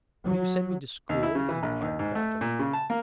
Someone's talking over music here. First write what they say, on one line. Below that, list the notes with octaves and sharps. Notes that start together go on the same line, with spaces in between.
"Would you send me to school?" he inquired craftily.
F#3
D#2
E4
C#3
E3
A#1
D#2
G#2
A3
A#2
C#3
A5
A#3